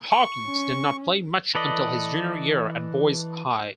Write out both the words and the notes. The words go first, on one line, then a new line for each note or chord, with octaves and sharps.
Hawkins did not play much until his junior year at Boys High.
C#6
C#4
E3 A4 B4 D5 D#5